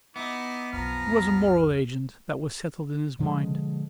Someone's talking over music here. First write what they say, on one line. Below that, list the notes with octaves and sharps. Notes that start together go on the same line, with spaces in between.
He was a moral agent--that was settled in his mind.
B3 D#4 E4 D6
B1 F2 F3 A#5 F6
B2 D3 F3 G#3